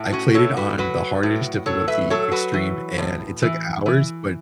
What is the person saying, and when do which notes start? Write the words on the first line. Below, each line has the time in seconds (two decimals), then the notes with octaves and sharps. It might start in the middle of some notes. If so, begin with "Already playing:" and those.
I played it on the hardest difficulty, extreme, and it took hours, but
Already playing: A2
0.12 C#4 F#4
0.35 A2 A4 C#5
0.57 F#4 B4
0.78 F#3 F#4 B4
1.23 A2
1.66 F#3 A4 C#5
1.88 B4 E5
2.10 F#3 A4 C#5
2.31 F#4 B4
2.53 E3
2.98 A2
3.42 E3
3.86 E3